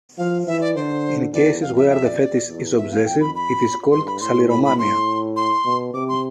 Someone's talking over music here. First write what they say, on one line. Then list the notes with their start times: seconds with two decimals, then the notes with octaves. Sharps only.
In cases where the fetish is obsessive it is called saliromania.
0.18 F3 F5
0.47 E3 E5
0.61 D5
0.76 D3 C5
1.33 E2 D5
1.61 F2 F5
1.77 E5
1.91 E5
2.05 D5
2.48 E2
2.77 E5
2.92 F5
3.06 F2 G5
3.21 B5
3.35 B5
3.92 G2 C6
4.07 B5
4.21 A2 C6
4.49 B5
4.64 B5
4.79 A2 C6
5.36 C6
5.65 B2
5.94 C3 D6
6.08 C6